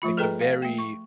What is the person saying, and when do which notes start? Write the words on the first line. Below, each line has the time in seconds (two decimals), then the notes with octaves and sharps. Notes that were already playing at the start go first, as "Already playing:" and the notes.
like, the very
0.02 F3 A3 F4 B5
0.17 G#4 A4 B4 D#5 G5 A#5
0.41 F5
0.62 A3 G5
0.78 C#6